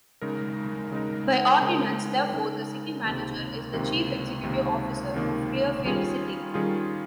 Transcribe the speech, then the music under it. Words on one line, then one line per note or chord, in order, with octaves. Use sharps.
By ordinance, therefore, the city manager is the chief executive officer of Clearfield City.
C#3 G#3 D#4 A#4
C#3 G#3 D#4 A#4
C#3 G#3 D#4 A#4
C#3 G#3 D#4 A#4
C#2 C3 D#3 A#3
C#2 C3 D#3 A#3
C#2 C3 D#3 A#3
C#2 C3 D#3 A#3
D#3 G3 C#4 F4 G#4
D#3 G3 C#4 F4 G#4